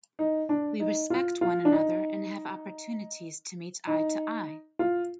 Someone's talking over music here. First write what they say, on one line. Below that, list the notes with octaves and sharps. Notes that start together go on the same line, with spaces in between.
We respect one another and have opportunities to meet eye-to-eye.
D#4
D4
D#4
F4
F4
D4
D#4
D#4
F4